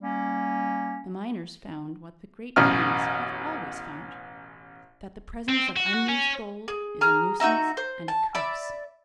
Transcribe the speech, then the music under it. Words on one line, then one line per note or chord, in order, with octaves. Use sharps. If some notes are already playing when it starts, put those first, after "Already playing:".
The miners found what the great banks have always found, that the presence of unused gold is a nuisance and a curse.
G3 A#3 C#4
A1 F#2 B2 F6
C4
F#4
F#4
C#4
G#4
G#4 A#5 F6
D#4 F#4 E5 A#5
C5
A5
D5 E5 B5